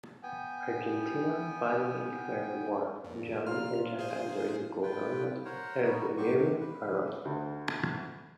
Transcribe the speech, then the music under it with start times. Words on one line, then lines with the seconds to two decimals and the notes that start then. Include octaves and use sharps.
Argentina finally declared war on Germany and Japan during the government of Edelmiro Farrell.
0.23 B3 G5 G#5
3.04 F2 A#2
3.46 F4 A#4 F6
3.99 G#4 C5
4.83 F4 B4 G5
5.45 A#4 C5 C#5 F#5
5.83 G3 B3 D#4 F#4
6.17 F#3 F#4 G4 C5 C#6
6.36 D2 G4
6.60 B4
7.25 D2